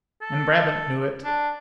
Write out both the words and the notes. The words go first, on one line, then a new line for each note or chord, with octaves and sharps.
And Braham knew it.
A4
D4